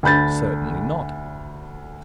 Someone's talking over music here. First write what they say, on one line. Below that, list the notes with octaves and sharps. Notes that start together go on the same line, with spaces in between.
Certainly not.
D2 D4 B5 G6 A6